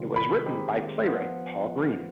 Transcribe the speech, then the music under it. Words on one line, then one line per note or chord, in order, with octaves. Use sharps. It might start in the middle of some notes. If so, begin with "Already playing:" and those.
It was written by playwright Paul Green.
Already playing: C3 D#3 G3 C4 F4
B5
D#3 G#3 C4 D#4 G4
F3 B3 F4